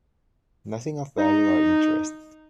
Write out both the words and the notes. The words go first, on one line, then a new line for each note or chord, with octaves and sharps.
Nothing of value or interest.
D#4